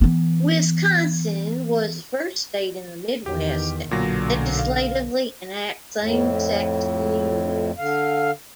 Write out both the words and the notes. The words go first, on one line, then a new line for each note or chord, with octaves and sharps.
Wisconsin was the first state in the Midwest to legislatively enact same-sex unions.
E3 B3
E2 D#3 G4
B1 A#2 D3 F#3 A#6
F5
F2 A2
D3 F5